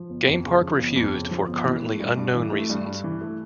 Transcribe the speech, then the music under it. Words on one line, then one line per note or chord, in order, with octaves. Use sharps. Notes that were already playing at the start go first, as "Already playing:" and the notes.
Game Park refused, for currently unknown reasons.
Already playing: F3
G1
F2
C#3
F3
G1
F2
C#3
F3
G1
E3
A3
G2
G2
E3
A3
G2
G2
E3
A3